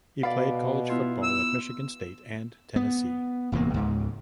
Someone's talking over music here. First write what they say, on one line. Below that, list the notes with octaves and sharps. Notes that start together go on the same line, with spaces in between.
He played college football at Michigan State and Tennessee.
B2 D5 F5 B5
B3 E4 F4
E6
B3
D1 E2 C3 A#3
C#2 G#2